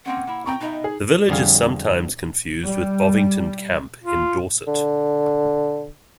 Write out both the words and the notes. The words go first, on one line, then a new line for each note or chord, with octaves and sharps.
The village is sometimes confused with Bovington Camp in Dorset.
A#3 C4 C#4 F#5
A#3 E4
C4 G5 A#5 C#6
B2 D#4 D#5 E5
G#4
F2 D3 G3 G#4 F5
G3
F4
D3